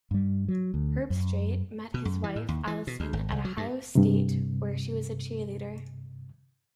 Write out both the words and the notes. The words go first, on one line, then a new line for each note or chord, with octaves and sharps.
Herbstreit met his wife, Allison, at Ohio State, where she was a cheerleader.
G2 G3
F#3
D2
F#2
B2
F#2
E3
A2
D#2
E3
B2
D2
G#1
C2
F#3
G2
G2 C3